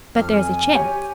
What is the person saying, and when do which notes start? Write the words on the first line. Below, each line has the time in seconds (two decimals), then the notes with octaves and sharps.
"But there's a chance?"
0.16 F2 F6
0.35 G#5
0.74 G4 C#5